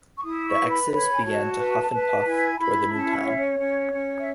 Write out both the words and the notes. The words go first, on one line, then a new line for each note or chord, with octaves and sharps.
The exodus began to huff and puff toward the new town.
C#6
E4 D#6
C#6
B4
B5
C#5 B5
G#5
F#4 A5
B4
B4
E4 G#5
E4 B5
C#4 A5
E5
F#5
C#5
E5
C#5
C#4
C#4
E5